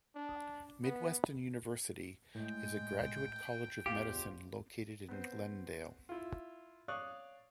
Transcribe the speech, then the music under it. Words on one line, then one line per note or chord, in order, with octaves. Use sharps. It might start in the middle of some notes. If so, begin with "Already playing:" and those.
Midwestern University is a graduate college of medicine located in Glendale.
D4
B3
A2 G#3 G5
E2 F4 G4 C5
B3 C4 C5
E4 F4
C#5 D5 F5 C#6 D#6 F#6